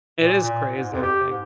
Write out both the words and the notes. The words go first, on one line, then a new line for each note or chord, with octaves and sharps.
It is crazy, I think,
A#2
A#2
G#2
F2
G4
G#2